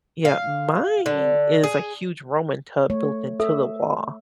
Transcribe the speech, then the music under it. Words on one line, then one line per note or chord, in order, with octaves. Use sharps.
yeah. Mine is a huge Roman tub built into the wall.
F5
D3
G#4
A3 C#5
A4 E5